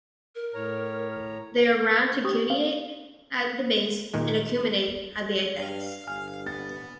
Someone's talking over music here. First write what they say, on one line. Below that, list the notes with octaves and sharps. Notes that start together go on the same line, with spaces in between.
They are round to cuneate at the base and acuminate at the apex.
A#4
A2 C#5 A#5
G4 C#6 D#6
C#4 F5
A#2 D#3 G#3
G2 F5
G1 G#5 F6
B3 A6